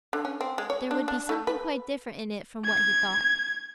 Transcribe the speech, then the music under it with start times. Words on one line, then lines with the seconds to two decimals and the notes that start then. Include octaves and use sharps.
There would be something quite different in it from what he thought.
0.13 D3
0.25 C#4
0.41 C4
0.58 G#3
0.70 C#5
0.91 D4
1.08 D4
1.29 A3
1.47 B4
2.66 G#6